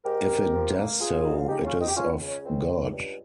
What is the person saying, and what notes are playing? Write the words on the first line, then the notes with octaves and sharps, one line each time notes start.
If it does so, it is of God.
G#2 G4 A#4
G#2
F3
A#3
C#2 F4 G#4
C#3 D#4
F4
C#2 D#4 G4
C#4 F4
C#2
C4 D#4
G4
C#2 C#4 F4
C#3
C#4
C#2 C4
C#2
G2